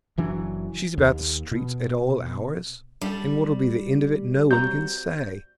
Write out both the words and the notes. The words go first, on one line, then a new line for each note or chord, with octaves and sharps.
She's about the streets at all hours, and what'll be the end of it no one can say.
F#1 E3 F#3 D4
D#2
B2
G3 D4 G4 A4
C4 F#4 A#5 G6